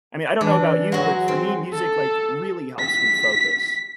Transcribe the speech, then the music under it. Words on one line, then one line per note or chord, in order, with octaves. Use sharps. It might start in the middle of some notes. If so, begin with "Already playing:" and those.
I mean, I don't know about you, but for me, music, like, really helps me focus.
E3 D4
F#3 G#3 F#4
C4
A4
B6